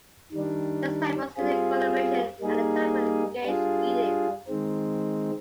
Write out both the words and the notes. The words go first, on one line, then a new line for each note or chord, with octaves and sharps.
There is time for student collaboration and a time for engaged reading.
D#3 G3 D4
G3 C4 F4 G#4
G3 A#3 D#4 G#4
G3 D4 F4 G#4
D#3 G#3 C4